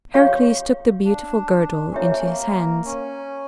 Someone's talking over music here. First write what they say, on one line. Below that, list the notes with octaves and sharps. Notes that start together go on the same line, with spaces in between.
Heracles took the beautiful girdle into his hands.
G4 C#5 F5 C#6
D4
C#4
A#3 G4 C#5 E5
C#4
A#3
C#4